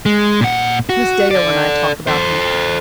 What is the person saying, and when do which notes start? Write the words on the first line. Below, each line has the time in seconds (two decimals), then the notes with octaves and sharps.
Miss Dale and I talk about him.
0.06 G#3
0.41 A#2 F#5
0.89 F#4
1.31 A4 D5
2.07 A4 C5